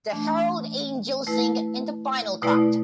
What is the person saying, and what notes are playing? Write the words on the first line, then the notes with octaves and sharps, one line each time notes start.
The Herald Angels Sing in the final cut.
E3 A3 D4
A3 E4 B4
B2 A3 E4 B4 D5